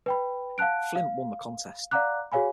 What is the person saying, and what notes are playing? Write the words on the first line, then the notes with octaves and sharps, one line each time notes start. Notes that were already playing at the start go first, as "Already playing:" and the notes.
Flint won the contest.
B4 G5 B5
F5 F#5 A5 F#6 D7
F5
D5 F5 F#5 A#5 D6 F#6
F#4 G#4 C#5 F5 G#5 B5